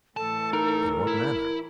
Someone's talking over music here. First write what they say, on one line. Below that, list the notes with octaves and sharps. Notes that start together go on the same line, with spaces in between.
"In what manner?"
A2 E3 A4 A5
D#4 A#4
E4